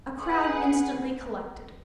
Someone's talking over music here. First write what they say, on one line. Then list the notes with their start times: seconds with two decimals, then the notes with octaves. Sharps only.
A crowd instantly collected.
0.22 G#4 B4 F#5